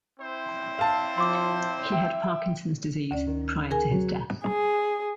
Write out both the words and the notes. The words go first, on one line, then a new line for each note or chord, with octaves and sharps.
He had Parkinson's disease prior to his death.
C4 E4 C5
F5 A5
F3 C6 D6
E5 G5
D2 C#4 D5
D#3
G#4 A#4 G#5
F#3
G#4